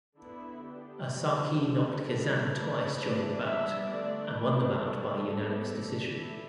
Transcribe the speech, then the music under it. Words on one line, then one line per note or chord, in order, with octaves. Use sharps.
Osaki knocked Kazane twice during the bout and won the bout by unanimous decision.
D3 B3 D4 E4
D3 B3 D4 G4
G3 B3 D4
E3 G3 D4 A4
G3 B3 D4
E3 A3 D4 B4
E3 A3 D4 D5
G3 B3 D4 E5
D3 A3 D4 D5
E3 A3 D4 B4
G3 D4 A4
G3 B3 D4
E3 A3 D4
D4 E4